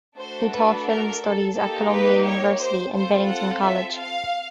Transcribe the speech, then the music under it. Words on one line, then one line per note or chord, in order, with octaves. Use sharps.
He taught film studies at Columbia University and Bennington College.
A3 D4 F#4 A4 C5
B4
A#4
A4
A#3 D#4 G4 A4
B4
C#5
C5
C4 F4 A4 C5
F#5
E5
F5